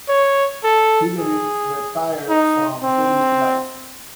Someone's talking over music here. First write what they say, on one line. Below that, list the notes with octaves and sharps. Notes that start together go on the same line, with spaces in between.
Hillery retired from public life.
C#5
A4
G#4
D#4
C4